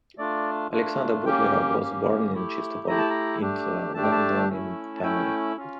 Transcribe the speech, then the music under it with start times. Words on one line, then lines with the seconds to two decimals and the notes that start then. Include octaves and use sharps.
Alexander Butlerov was born in Chistopol into a landowning family.
0.18 A3 D4 F4 D5
0.71 A3 D4 F4
1.26 A#3 C#4 G4 G5
1.79 A#3 C#4 G4
2.33 A3 E4 G4
2.87 A3 E4 G4 A#5
2.98 A5
3.10 A#5
3.41 A3 D4 G4
3.94 A3 D4 G4 A5
4.03 G5
4.11 A5
4.49 A3 C#4 E4
4.97 A5
5.03 A3 C#4 E4 G5
5.56 C#4 F4